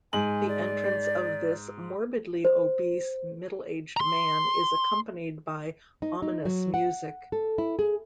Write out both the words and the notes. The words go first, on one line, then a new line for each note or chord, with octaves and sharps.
The entrance of this morbidly obese middle-aged man is accompanied by ominous music.
G#2 G#5 F#7
D5
C5
A#5 C6
D#4
D#4
F#3
F#5
A4
E4
G#4